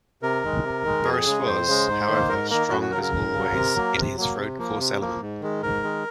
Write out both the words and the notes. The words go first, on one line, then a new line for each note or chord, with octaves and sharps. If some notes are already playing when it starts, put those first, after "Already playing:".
Boris was, however, strong as always in his road course element.
C3 A#4
D#3 G#3
C3
D#3 G#3
F2 G#4
C#3 G#3
F2 C5
C#3 G#3
G#2
D#3 A#3
G#2 A#4
D#3 A#3 A#4
F#2 F#4
F#4
C#3 F#3 A#4
A#4
F#2
C#3 F#3
C3
F#3 A#3
C3
F#3 A#3
C3
F3 A#3
C3
F3 A#3
G#2
D#3 G#3
G#2 A#4
D#3 G#3